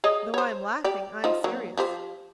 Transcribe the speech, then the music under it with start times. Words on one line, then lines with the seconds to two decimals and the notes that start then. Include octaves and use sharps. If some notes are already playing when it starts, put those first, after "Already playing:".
Though I am laughing, I am serious.
0.04 G#4 C#5 D#5
0.34 C5 C#5
0.84 G4 D5
1.24 D#4 F4 C5
1.44 F#3 A#3
1.78 F3 G4 C5